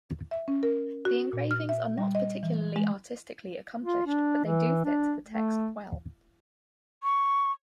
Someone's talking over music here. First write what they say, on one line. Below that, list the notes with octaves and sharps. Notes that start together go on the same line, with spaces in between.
The engravings are not particularly artistically accomplished, but they do fit the text well.
E5
C#4
A#4
F#4
A#2
F6
E5
G3
D#5
E3
G#3
F4
D4
E3
D4
A3
C#6